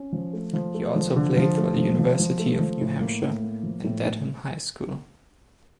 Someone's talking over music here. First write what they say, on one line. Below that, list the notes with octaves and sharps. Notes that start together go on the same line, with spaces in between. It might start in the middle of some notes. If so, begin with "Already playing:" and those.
He also played for the University of New Hampshire and Dedham High School.
Already playing: C#4
F3
A3
F3
A3
F3
D3
F3
A3
F3
F3
F3
A3
F3
A2
A#3
A2
A#3
F3
A2
A2